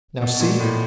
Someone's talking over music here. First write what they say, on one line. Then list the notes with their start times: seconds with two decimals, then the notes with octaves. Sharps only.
Now see!
0.22 B2
0.41 A#2
0.60 A2